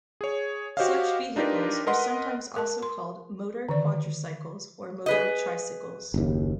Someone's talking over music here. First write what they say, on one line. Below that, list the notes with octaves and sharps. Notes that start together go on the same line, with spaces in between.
Such vehicles are sometimes also called "motor quadricycles" or "motor tricycles".
G#4 C#5
F#4 G4 C5 C#5 D#5 F5
D4 D#4 F4 G4 A#4 B4
A#4 B4 D#5 F#5 C6
A#4 A5
C6
D3 D#3 D5
G#4 B4 D#5
F#1 D#2